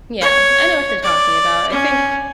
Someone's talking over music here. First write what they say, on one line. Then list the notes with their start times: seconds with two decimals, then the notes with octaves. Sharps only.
Yeah, I know what you're talking about, I think
0.21 C#5
1.03 D5
1.72 C#4